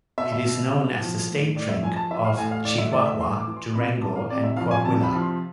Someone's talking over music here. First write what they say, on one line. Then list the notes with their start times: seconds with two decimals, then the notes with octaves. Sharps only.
It is known as the state drink of Chihuahua, Durango and Coahuila.
0.18 B2 E5
0.32 E5
0.46 B2
0.74 B2
1.00 F3
1.27 A2
1.55 A2 D5
1.69 E5
1.82 F3 G#5
1.96 A5
2.11 E3 E5
2.25 F5
2.37 A2 G#5
2.51 F5
2.65 A2 D5
2.78 E5
2.93 A2 D5
3.06 E5
3.19 E3 C6
3.38 D6
3.48 E3
3.57 C6
3.75 C3 B5
4.02 E3 A5
4.16 F5
4.30 C3 D5
4.44 E5
4.57 F3 F5
4.71 G#5
4.84 C3 A5
5.03 B5
5.12 F3
5.22 C6